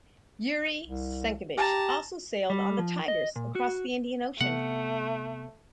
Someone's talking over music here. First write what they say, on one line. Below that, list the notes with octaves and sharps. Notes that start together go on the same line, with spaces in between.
Yuri Senkevich also sailed on the "Tigris" across the Indian Ocean.
C2
G4 A5 A#5
G3
F3
D#5
A#2
F#4
C3 A3 B3 F#5